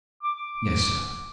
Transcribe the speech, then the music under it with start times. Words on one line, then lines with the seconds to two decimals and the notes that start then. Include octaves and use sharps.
"Yes, sir."
0.23 D6